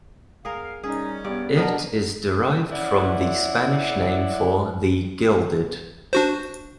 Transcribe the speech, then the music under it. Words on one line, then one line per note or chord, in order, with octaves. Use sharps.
It is derived from the Spanish name for "the gilded".
E2 G#4 A#4 F5
G3 C#4 D#4 G#4
G2 B3 D5
B2 B3 D4 A#4 D#5
C#4 E4 D5 F#5
D4 F#4 C5